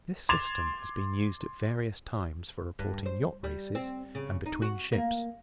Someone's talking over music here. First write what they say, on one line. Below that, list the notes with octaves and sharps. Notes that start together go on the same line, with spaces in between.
This system has been used at various times for reporting yacht-races, and between ships.
C6 D6 G#6 A6 E7 F7
G2
C5
G3
C4
C#3
D#4
F#4
A#3